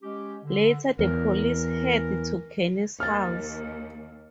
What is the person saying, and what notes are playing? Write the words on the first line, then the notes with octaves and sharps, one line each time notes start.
Later, the police head to Kenny's house.
G#3 C#4 G4
D3
E2 E3 A#4
D#2 F6 A6